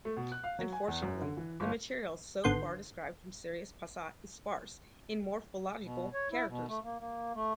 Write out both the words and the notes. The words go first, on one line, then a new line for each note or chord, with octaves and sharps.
Unfortunately, the material so far described from Sirius Passet is sparse in morphological characters.
A3
B2
F#6
F5
F#3
G#5
E2
F#2
D3
E3
G1
G#1 D3 B3 C6 G6
B2
C#5
E4
B2
A3
A#3
A#3
A3